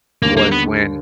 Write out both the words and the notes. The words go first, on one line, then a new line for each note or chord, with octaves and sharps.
was when,
D#2 D3 G3 A#3
A#3
B3